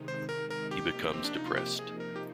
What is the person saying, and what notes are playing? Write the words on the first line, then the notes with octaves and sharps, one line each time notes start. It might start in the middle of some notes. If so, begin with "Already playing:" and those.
He becomes depressed.
Already playing: C3 D#3 G#3 D#4
C5
A#4
A#4
C3 F3 A#3 D#4 G4
C4
D4
D#4
F4
G4
G#4
A#4
G4